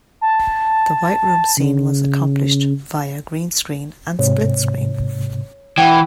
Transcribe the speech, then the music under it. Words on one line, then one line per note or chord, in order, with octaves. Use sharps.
The "White Room" scene was accomplished via greenscreen and split screen.
A5
C#3
G#2 C3 C#5
E3 F#5 G5